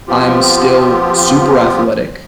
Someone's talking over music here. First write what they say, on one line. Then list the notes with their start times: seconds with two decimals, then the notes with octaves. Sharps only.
I'm still super athletic,
0.08 F3 B3 C4 F4 G4